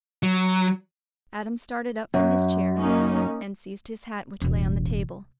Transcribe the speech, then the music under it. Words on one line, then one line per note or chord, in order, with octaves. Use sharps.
Adam started up from his chair and seized his hat, which lay on the table.
F#3
F#2
A#3 C#4 D#4
E1 A1